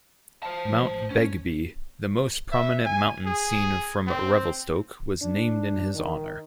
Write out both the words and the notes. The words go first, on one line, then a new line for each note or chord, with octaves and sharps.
Mount Begbie, the most prominent mountain seen from Revelstoke, was named in his honor.
C5 A5
F3 A3
A1
F1 G#2 C#4 C#5
E5
G#5
G#4
C4
D4
D#3